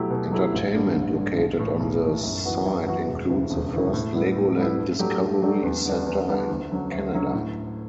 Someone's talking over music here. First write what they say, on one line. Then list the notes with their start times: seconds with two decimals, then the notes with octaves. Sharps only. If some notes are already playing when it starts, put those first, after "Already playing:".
Entertainment located on the site includes the first Legoland Discovery Centre in Canada.
Already playing: B2 F#3 A3 E4 G4
0.10 B2
0.31 F#3 A3 E4 G4
0.53 A1
0.74 G2 D3 G3
0.95 A1
1.16 G2 D3 G3
1.37 B1
1.59 A2 E3
1.80 B1
2.02 A2 E3
2.23 F#2
2.45 E3 B3 F#4
2.66 F#2
2.87 E3 B3 F#4
3.08 E1
3.30 D2 C#3 E3
3.51 E1
3.73 D2 C#3 E3
3.93 A2
4.14 G3 B3 E4
4.36 A2
4.57 G3 B3 E4
4.78 G2
4.99 F#3 A3 D4 G4
5.21 G2
5.42 F#3 A3 D4 G4
5.63 E2
5.85 D3 G3 B3 D4
6.06 E2
6.28 D3 G3 B3 D4
6.49 D2
6.70 D3 F#3 C#4
6.91 D2
7.13 D3 F#3 C#4
7.33 A2